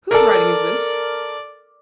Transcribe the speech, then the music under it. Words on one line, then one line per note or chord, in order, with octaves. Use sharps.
'Whose writing is this?'
A4 A#4 D5